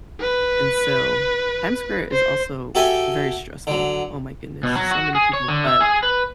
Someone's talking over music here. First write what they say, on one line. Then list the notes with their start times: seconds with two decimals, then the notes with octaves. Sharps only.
And so Times Square is also very stressful, oh my goodness. So many people, but
0.20 B4
2.12 C5
2.75 F#4 G4 A4 E5 G5 G#5
3.67 D3 F#3
4.63 B2
4.75 F#3
4.91 F#4
5.15 G#4
5.33 C#5
5.48 D3
5.67 E5
5.80 G#4
6.03 B4